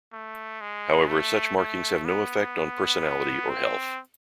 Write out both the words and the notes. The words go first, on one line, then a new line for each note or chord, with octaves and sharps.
However, such markings have no effect on personality or health.
A3
G#3
A3
A3
B3
C4